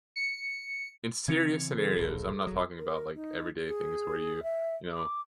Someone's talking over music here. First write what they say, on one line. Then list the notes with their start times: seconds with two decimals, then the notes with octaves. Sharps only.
in serious scenarios, I'm not talking about, like, everyday things where you, you know,
0.16 C#7
1.28 C#3 E3 C4 G#6 C#7 F7
1.78 G#4 A4
1.97 D1 A#1
2.47 D#1 F#3
2.79 A#4
3.15 D#4
3.66 G#4
4.43 E5
4.93 D6